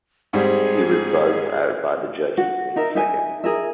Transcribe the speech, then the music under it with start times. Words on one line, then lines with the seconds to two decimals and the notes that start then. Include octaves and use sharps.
He was buzzed out by the judges in seconds.
0.33 G#2 G3 C4 G#4
2.38 F#4
2.76 D#4 A#4 E5
2.95 D#4 E5 G#5
3.44 G#4 A#4 E5